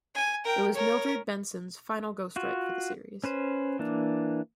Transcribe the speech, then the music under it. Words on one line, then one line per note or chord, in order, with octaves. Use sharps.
It was Mildred Benson's final ghostwrite for the series.
G#5
A#4 G5
A#4 C#5
F4 F#4
C#4 B4 C5
E3 A#3 D4